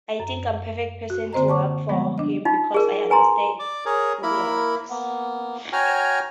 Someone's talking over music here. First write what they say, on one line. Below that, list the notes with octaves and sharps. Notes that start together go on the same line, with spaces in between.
I think I'm a perfect person to work for him, because I understand gulags.
F#2
F#4
D3 A#3 C4 C5 D#5 A#5
A5 C#6 D6
F3 G3 G#3 B3
D4 D#5
D#4 F4
G#4 A#4
B4 G#5 A#5 C6
D5 D6
G#4 A#4 C#5
A#3 E4 A#4 B5
A#3 B3
F#4 C#5 G5 G#5 A#5 F6